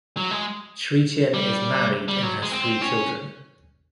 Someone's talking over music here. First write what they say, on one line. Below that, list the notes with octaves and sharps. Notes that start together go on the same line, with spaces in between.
Chretien is married and has three children.
F#3
G#3
G3
G3
F#3
G#3
C4
C#4